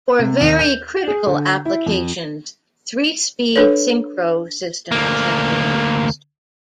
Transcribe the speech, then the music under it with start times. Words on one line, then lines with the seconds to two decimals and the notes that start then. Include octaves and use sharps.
For very critical applications, three-speed synchro systems have been used.
0.19 C3
0.41 D#2
0.59 G6
1.08 G#4
1.27 D3
1.65 E4
1.86 F2
3.56 D4 A4 B4 C#5
4.92 D2 A#3